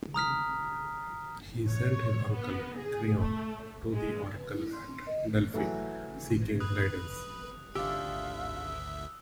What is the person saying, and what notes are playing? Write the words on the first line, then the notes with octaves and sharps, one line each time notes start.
He sent his uncle, Creon, to the Oracle at Delphi, seeking guidance.
A#5 D#6 F6 B6
C#5
B3
G#4
A3
G#3
B4
E4
C6
D#5
E3 F#3 A3
B4 D#6 F#6
G#1 D2 D4 F4 G4 E5 E6